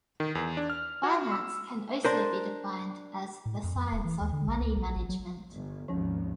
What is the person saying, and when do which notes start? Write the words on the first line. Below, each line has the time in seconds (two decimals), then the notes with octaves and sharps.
Finance can also be defined as the science of money management.
0.20 D#3
0.35 E2
0.57 D4
0.70 F6
1.03 F#4
1.32 E6
2.05 D4 A#4 C5
3.46 A2
3.63 F2
3.75 F2
3.92 D#1
4.05 E3
4.21 D#2
4.33 D3
4.48 A#1
4.61 C#2
4.76 A#1
4.96 A1
5.09 F#3
5.53 G1
5.88 G#1 D#2 F3 C#4